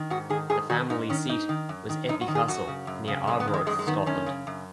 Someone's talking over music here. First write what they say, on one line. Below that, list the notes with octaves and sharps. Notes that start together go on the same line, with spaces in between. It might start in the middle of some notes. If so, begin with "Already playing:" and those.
The family seat was Ethie Castle, near Arbroath, Scotland.
Already playing: D#3
G#2 F#4
D#3 G#4
G#2 G#4
D#3 F#4
G#2 D#4
D#3 C#4
G#2 D#4
D#3
F#2
D#3
F#2 D#4
F#4
D#3
G#4
F#2 F#4
C#3
F#2
C#3
F#2 G#3
B3
D#3
G#3
F#2 G#3
G#3
D#3 B3
F#2 C#4
C#3
F#2